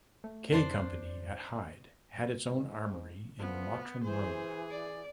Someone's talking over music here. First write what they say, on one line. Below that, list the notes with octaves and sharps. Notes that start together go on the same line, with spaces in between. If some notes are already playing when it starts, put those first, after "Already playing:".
K Company at Hyde had its own armoury in Mottram Road.
A3
F2 D4 C5 D5
G#2
D2 F3 B3
E3 G#4 C5
D5